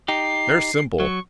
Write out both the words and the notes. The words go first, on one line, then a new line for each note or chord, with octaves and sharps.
They're simple.
D#4 G4 C7
F#3 C#6